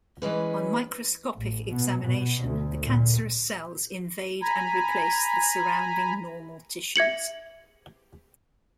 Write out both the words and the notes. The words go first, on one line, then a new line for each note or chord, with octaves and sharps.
On microscopic examination, the cancerous cells invade and replace the surrounding normal tissues.
E3 G#3 C#4 B4
A1
B2
B2
D2
A#2
G#5 A#5 B5
E5 G#6 C#7 F#7